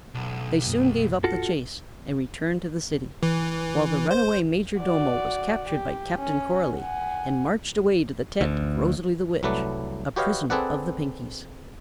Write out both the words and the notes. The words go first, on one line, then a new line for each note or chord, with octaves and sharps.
They soon gave up the chase and returned to the City, while the runaway Majordomo was captured by Captain Coralie and marched away to the tent of Rosalie the Witch, a prisoner of the Pinkies.
B1
A#1 F#2 A#3
F4 F#4 A4
E3
C5
F#4 D5
G4
C#4
F#5 G#5
D2
C2 F#3 A3 B4 D5
F#4 G4 B4 C#5 D#5 F5
C4 G#4 A4 B4 D5 F#5